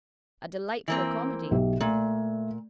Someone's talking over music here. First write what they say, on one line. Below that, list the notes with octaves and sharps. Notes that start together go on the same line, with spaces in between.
A delightful comedy.
E3 A#3 C4
B1 G4 E5
A#2 A3